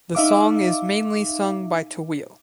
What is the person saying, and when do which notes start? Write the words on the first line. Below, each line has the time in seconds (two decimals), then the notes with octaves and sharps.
The song is mainly sung by Tawil.
0.15 D#4 E5 F5 D6